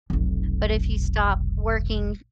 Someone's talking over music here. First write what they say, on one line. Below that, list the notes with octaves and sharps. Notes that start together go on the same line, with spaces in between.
But if you stop working,
F1 B1